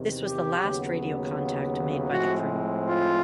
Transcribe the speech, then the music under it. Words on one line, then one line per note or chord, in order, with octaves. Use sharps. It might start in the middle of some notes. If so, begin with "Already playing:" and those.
This was the last radio contact made by the crew.
Already playing: E2 C3 D#3
G4
D#2 C#3 F#3 B3
A2 F3 G#3 C4 F#4
F4